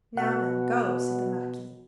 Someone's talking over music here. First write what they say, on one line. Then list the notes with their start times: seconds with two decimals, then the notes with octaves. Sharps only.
"Now, then, go," said the marquis.
0.17 B2 F#5